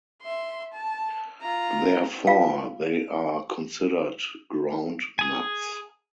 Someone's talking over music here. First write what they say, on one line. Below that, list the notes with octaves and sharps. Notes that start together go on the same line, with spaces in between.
Therefore, they are considered ground nuts.
E5 C6
A5
F4 A#5
F4 F5
G#4 G#5